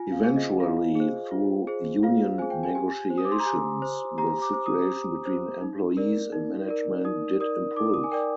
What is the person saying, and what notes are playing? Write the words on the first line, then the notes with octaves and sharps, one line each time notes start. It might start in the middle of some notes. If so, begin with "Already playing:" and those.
Eventually, through union negotiations, the situation between employees and management did improve.
Already playing: F4 G#5
F5
G#4 C5
D#5
F4 F5
G#4 C5
F4
G#4 C5
F4 F5
G#4 C5 G#5
G5
G#5
G4 G#5
C5
D#6
D6
C6
A#5
G4 G#5
C5
G4 A#5
D6
C5
D#6
G4
C5
D#4
A#4 D5
D#4
A#4 D5
D#4 D#6
A#4 D5 D#6
D#4 D6
D#6
G#5
A#4 D5 G5